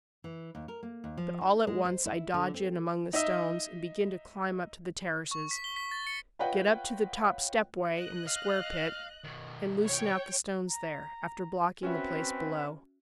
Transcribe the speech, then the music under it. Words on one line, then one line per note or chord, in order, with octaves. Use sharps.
But all at once I dodge in among the stones and begin to climb up to the terraces, get up to the top step-way in the square pit, and loosen out the stones there, after blocking the place below.
E3
D#2
A#4
A#3
D#2
F3
D#4
G#3
C5
E4
D3
C4
D#4 D#5 E5
C#6
B6
G7
B6
A6
C#7
F4 B4 C#5 D#5 F#5 G5
D#5 F#6
F5
B2 D#3
C#5 G5
A#5
C4 C#4 F#4 B4 E5